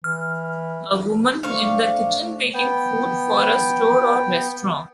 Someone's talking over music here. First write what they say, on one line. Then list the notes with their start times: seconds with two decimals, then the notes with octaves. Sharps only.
A woman is in the kitchen making food for a store or restaurant.
0.04 E3 F6
1.43 A3 D4 C5 F5 C#6
2.54 B3 G5